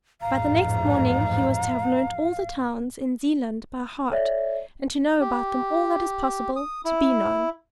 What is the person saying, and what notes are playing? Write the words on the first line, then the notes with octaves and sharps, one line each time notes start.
By the next morning he was to have learnt all the towns in Zealand by heart, and to know about them all that is possible to be known.
A1 F2 G#2 F5 A#5
A4 C#5 D5 E5
G4
D#6
E4